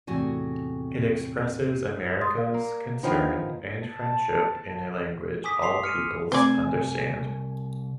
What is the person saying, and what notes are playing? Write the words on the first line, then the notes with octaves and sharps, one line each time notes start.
It expresses America's concern and friendship in a language all peoples understand.
E2 A2 C3 F#4 G#5
C6 D#6 A6
A#4 D5 F5
A#3
D#3 F3 B3 D4
A5
G#5 D6 D#6 B6
C6 B6 C7 F7
F6 C#7 D#7
C2 A3 C4 C5 D5 G#5